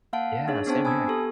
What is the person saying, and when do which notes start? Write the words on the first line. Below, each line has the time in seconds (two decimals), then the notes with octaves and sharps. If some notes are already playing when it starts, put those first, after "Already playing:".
Yeah, same here.
0.13 A#3 F5 F#5 A5 D7
0.48 D4 D#4 G#4 C#5
0.67 B3 C4 D4 C5 G5 A5
0.85 G#5 A5 B5 D#6 E6 G#6
1.07 B3 G4 A4